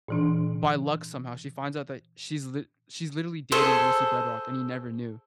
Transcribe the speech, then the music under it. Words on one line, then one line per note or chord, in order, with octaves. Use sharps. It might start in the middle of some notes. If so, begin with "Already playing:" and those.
by luck somehow, she finds out that she's li she's literally dating Lucy Bedroque and he never knew.
A#2 E3 D4
G#4 A4 C5 E5